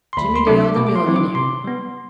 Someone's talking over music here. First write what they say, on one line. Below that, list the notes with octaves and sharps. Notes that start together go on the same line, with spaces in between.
Jimmie Dale the millionaire!
C6
D2 B5
C6
C3 F#3 A3 D4 D6
B2 D6
D6
C6
F#3 C4 E4
D6
C3 C6
G3 B3